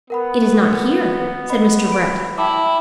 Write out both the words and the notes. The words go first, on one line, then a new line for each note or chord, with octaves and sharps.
"It is not here!" said Mr. Brett.
B3 A#4 F#5 B5
B4
D#5 B5
B5 D7
E4 G5 A5 D6